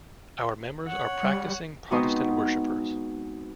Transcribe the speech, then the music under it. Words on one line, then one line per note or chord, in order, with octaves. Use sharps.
Our members are practising Protestant worshippers.
C#5 F#5
G3
G#3 B3 C4 D#4 F#4